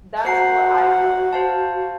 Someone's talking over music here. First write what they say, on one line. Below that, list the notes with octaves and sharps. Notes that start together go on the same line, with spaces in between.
That's what I've learned.
F#4 C5 F#5 A#5 C7
C5 F5 A5